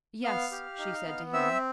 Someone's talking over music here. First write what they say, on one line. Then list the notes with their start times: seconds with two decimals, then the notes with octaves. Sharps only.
"Yes," she said to him.
0.24 B3 F5 F6
0.52 G4
0.79 D#4
1.06 B3
1.33 C4 E5 E6